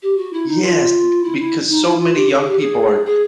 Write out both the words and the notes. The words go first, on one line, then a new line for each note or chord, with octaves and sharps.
Yes, b because so many young people are
G4
F#4
E4
D#4
F4
E4
E4
D#4
E4
F4
G4
A4
G#4
G4
G#4
G#4